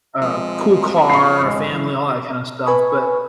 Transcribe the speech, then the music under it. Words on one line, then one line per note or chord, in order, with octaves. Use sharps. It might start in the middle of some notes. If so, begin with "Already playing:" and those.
a cool car, a family, all that kind of stuff. But
F3 G#3 C4
C#6 C7
G#1 G#3 C4
E3 F#3 E4
B4 G#5 B5 C#6